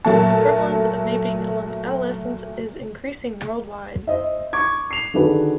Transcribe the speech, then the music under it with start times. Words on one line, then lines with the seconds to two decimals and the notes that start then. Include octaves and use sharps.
The prevalence of vaping among adolescents is increasing worldwide.
0.05 A#2 F#3 A3 A5
4.07 C5 D#5 E5
4.53 C#6 D6 G#6
4.91 C7 F7
5.14 D3 D#3 D4 F#4 G#4 B4